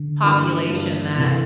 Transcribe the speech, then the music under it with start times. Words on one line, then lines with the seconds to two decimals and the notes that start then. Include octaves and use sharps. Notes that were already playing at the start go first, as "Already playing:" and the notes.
population that
Already playing: D3
0.23 G2 E3 A#3 D4 G4
0.70 G2 E3 A#3 D4 G4
1.18 C3 E3 A3 E4 A#4